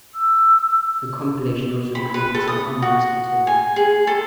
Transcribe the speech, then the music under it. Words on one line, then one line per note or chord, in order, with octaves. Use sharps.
The compilation also included some unreleased material.
E6
B5
B4
A4
D#6
F#4
G#5
G#4
A4